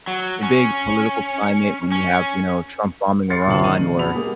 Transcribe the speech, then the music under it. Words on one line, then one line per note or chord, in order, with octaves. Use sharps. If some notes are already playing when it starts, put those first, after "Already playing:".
the big political climate when you have, you know, Trump bombing Iran, or,
F#3
C#4
C#4
C6 F6 A6 C7 C#7
D1 D2 C3 F4 A5 F#7
D#3 C#6 D#7 F#7
F2 A#2 C#3
F#3 B3 A5 B5 F7
G#3 A#3 B3 G4 G#4 A#4